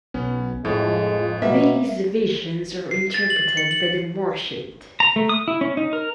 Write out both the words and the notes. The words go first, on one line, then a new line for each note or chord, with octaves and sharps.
These visions are interpreted by the "murshid".
B1 B3 C#4
F2 A2 F3 G#3
B2 A#3 E5
C7
A6
F#7
C#7
F#7
A#5
A3
D#6
E4
C#4
D#4
A#4